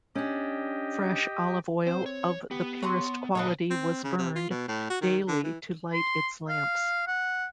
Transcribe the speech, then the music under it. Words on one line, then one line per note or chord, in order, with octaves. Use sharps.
Fresh olive oil of the purest quality was burned daily to light its lamps.
C#4 D4 G4 D#5 G5
C4 C5
C#5
B3 G4
C#5 A#5 C6
A#2 D#4 A4 B4 C#5 F5
C4
C#3
C3
F4
B2
A2
F#4
D#3
D3
E3
C6
F5
F#5